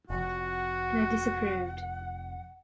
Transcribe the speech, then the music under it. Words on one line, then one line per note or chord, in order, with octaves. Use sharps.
And I disapproved.
F1 C3 F3 F#4 F#5